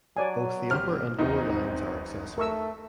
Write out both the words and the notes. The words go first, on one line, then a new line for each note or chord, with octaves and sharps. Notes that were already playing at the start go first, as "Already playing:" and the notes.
Both the upper and lower lines are accessible.
F#3 C#5 D5 G#5
G#1 C4 G4 F6
D#1 A#1 E2 C4 D#4
A3 A#4 C#6 E6